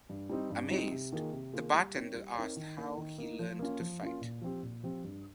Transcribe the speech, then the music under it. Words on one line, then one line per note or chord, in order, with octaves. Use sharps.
Amazed, the bartender asks how he learned to fight.
G2
G3 C4 D#4
G2
G3 C4 D#4
C3
D#3 A#3 F4 G#4
C3
D#3 A#3 F4 G#4
G3
C4 D#4 A#4 C#5
G3
C4 D#4 A#4 C#5
D#3
A#3 D#4
D#3
A#3 D#4
F3
A#3 C#4 F4
F3
A#3 C#4 F4
A#2
F3 C4 G4
A#2
F3 C4 G4
G2